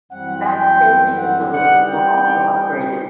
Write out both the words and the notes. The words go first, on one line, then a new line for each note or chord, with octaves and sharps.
Backstage facilities were also upgraded.
F#2 E3 G3 C4 F#5
G5
F#5
E3 G3 D#4 F#5
G5